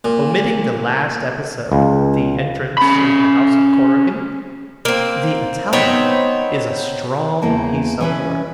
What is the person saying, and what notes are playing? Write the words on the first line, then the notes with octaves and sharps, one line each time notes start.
Omitting the last episode, the entrance into the house of Corrigan, The Italian is a strong piece of work.
A#2
C#2
C#4 B5
A#3 C4
B3 C4 D#4 C#5
E2 C#3 A#3 A5
E3 C#4 B4